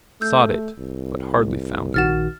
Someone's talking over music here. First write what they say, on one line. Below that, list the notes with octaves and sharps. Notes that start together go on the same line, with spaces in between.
Sought it, but hardly found it.
A3 E6 G6
C2
A#1 D#3 F#4 F6 A6 E7